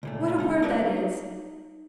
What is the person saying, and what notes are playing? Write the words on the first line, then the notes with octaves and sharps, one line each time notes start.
What a word that is!
C#2 A#2 A3
G#3 D#4 F4
D4 D#4 F4 A#4 B4 A5
D#4